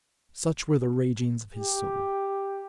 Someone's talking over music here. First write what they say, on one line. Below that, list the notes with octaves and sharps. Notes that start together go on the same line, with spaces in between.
Such were the ragings of his soul.
G4